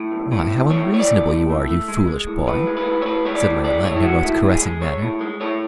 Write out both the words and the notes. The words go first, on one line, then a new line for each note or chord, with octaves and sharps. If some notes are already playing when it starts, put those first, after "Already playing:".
"Why, how unreasonable you are, you foolish boy!" said Layelah, in her most caressing manner.
Already playing: A2
B1
A2
B1
A2 C#5
A2 C#5
D5
B1
A2
A3
A3
G#3
G#3
A2
A2 B4
G#3
B4
A2
C#5
A2 B4
G#3 C#5
D5
A2
G#3 D5
A2 C#5
E4
G#3 F#4
A2 E4
A2
G#4
G#3
G#3 C#5
A2
G#3
A2 C#5